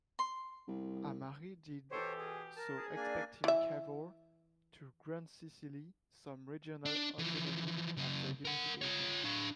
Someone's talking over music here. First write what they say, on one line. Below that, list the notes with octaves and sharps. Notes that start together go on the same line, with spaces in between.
Amari did so expecting Cavour to grant Sicily some regional autonomy after unification.
C6
C2
B2 E3 G4 A4 C5 C#5
G#4
A#4 A5
G#4
A#3 D4 D5 G#5
E3 E5
D4
E3 F3
C#3 F#3
A#4 F#5
F4 C#5
D4 F5